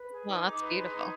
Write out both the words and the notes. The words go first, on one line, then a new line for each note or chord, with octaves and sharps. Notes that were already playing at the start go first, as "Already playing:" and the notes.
Well, that's beautiful.
Already playing: B4
G#4
D#4 D#6
D#4 D6
B4 C6
G#4
D#4